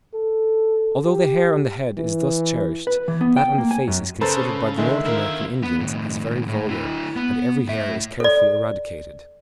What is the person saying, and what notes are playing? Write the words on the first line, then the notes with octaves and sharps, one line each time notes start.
Although the hair on the head is thus cherished, that on the face is considered by the North American Indians "as very vulgar," and every hair is carefully eradicated.
A4
G4
E3
B4
E3
B3
G5
A#3
G#5
F#2
C#3 A4 B4 C5 A#5 E6 A6
D3 D#3 G#3 E5
E4 F4 A#4
B3
A2 D#3
A2
D3 E4
B3
A2 E5
A4 D5